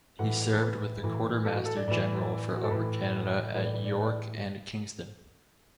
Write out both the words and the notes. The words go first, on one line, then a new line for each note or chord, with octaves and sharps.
He served with the Quartermaster-General for Upper Canada at York and Kingston.
A2 E3 F#5
A4
B4
A2 E3
A4
F#4
A4
D5
A2 E3 D5
F#4
A4
A2 E3 B4
A2 E3 B4
D5
B4
D5
B4
D5